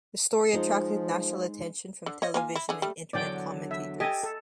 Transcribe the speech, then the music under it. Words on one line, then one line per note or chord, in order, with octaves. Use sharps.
The story attracted national attention from television and internet commentators.
F3 G#3 D#4 C5
D3
C#5 D#5
A#3 F4 G#5
E4
D3 G#4
G3 A3
E2 D3 F#3 D5 G5
E5
G4 A4 D#5 G#5
A4